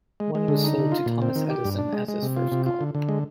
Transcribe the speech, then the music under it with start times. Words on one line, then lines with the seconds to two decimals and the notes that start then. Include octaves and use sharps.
One was sold to Thomas Edison as his first car.
0.20 G#3
0.35 G#3
0.48 D3
0.64 D#4
0.78 D3
0.92 F4
1.06 A#2
1.22 C4
1.36 D#3
1.50 G4
1.65 G2
1.78 D4
1.93 G#3
2.08 G#3
2.22 C3
2.37 F4
2.52 C3
2.66 F4
2.81 D3
2.95 D3
3.09 G#3